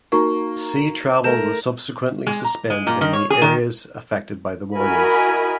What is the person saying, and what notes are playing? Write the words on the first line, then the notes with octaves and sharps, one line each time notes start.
Sea travel was subsequently suspended in the areas affected by the warnings.
A#3 D#4 F#4 C#6
A3 A#4 G6 E7
G#3
A#5
G#3
A#2
D#3
C#5
G#4
D#3
E4 F#4 A#4 D#5 G#5 B5